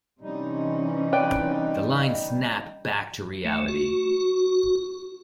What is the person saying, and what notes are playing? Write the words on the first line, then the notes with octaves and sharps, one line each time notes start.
The line Snap back to reality.
C3 E3 G3 C#4 D#4
B4 D5 G5
A3
F#4